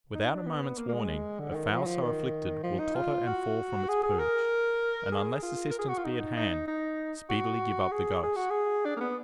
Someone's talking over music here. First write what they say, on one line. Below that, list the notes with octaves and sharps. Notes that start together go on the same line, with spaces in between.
Without a moment's warning, a fowl so afflicted will totter and fall from its perch, and unless assistance be at hand, speedily give up the ghost.
D#4
D4
B3
A#3
A#3
G#3
D3
D3
D#3
F3
F#3
F3
D#3
F3
D#4
F4
F#4
G#4
G#4
A#4
G#4
F4
A#4
G#4
F#4
F4
D#4
D#4
D#4
F#4
G#4
G#4
F#4
G#4
D4
A#3
B3